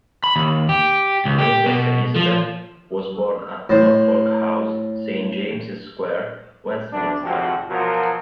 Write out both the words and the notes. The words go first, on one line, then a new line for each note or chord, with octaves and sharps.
Princess Elizabeth was born at Norfolk House, Saint James's Square, Westminster.
B5
D#2
G4
C#2
G4
B2
F3
A2 C5
D2 D4
G#1 F2 C3 F3 C4 F#4
B2 F3 F#3 F4 A#4